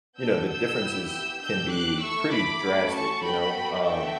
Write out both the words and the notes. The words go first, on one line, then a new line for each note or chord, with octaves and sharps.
you know the differences can be pretty drastic. You know? Um,
B3 D4 A4 E6 G6
E6 G6
B3 E4 G4
E6 G6
D4 G4 E6 G6
D6 F#6
A3 E4 A4 C#6 E6
B5 D6
A3 C#4 F#4 A4
A5 C#6
B3 F#4 A4 G5 B5
B3 D4 F#4 A4 E5 G5